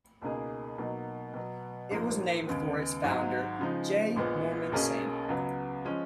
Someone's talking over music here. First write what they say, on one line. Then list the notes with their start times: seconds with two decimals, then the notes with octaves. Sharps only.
It was named for its founder, J. Moorman Sandy.
0.22 C#2 B2 A#3 D#4 G#4
0.78 B2 F#3 A#3 D#4
1.34 B2 F#3 B3
1.91 A#1 G#2 F3 A#3
2.47 D#2 C#3 G#3 B3
3.04 G#1 G#2 F#3
3.59 C#3 F3 G#3 D#4
4.16 A#1 A#2 G#3 B3
4.72 B1 B2 A#3 C#4 G#4
5.29 C#2 C#3 F#3 B3
5.85 F3 G#3 C#4